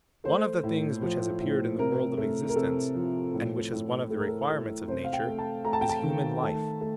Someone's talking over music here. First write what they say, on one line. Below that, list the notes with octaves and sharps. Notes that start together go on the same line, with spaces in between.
One of the things which has appeared in the world of existence, and which is one of the requirements of Nature, is human life.
A3 C5
A2
F3
A2
C3 A#4
A3
A#4
C3 A4
F3
A2
A2
A3 A4
A#4
A4
A3
C3 C5
F5
G5
A3
A5
A3 A#5
A5
G5
A5
D#3
A3
A3